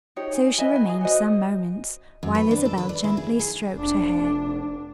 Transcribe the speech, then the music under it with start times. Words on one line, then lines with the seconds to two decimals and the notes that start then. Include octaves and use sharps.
So she remained some moments, while Isabel gently stroked her hair.
0.16 D#4 G4 C#5
0.33 G#5
0.58 B4 D#5 E5 G#5
0.73 E4 G#5
0.89 G#4
1.01 F#4 C5 D#5
2.23 F#2
2.35 B4
2.51 D4
2.65 A4
2.78 B4
2.89 D5
3.04 E4
3.17 G#4
3.39 G#4
3.78 F1 D4